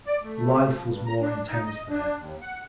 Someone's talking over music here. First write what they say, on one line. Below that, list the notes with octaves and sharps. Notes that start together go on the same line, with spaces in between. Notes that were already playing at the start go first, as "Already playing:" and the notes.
Life was more intense there.
D5
A3
A3
F3
G2
A#5
D4
D#4
D#5
D4
D#2
F#5